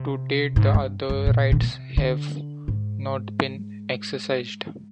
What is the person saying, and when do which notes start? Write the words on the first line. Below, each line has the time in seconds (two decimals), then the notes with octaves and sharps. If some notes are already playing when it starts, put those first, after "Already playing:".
To date the other rights have not been exercised.
Already playing: C3
0.56 G#2
0.74 G2
1.09 G2
1.26 A#2
1.52 D3
1.62 C3
1.97 D3
2.68 G#2